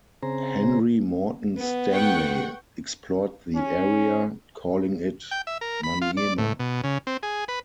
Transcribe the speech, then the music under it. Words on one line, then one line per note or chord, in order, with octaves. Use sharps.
Henry Morton Stanley explored the area, calling it Manyema.
C#3 C4 G#4 C5 A#5
B3
F#5 G5 C#6
C#4
G5
E5
A#4
B5
F4
D5
A2
B2
C#3
C4
G#4
B4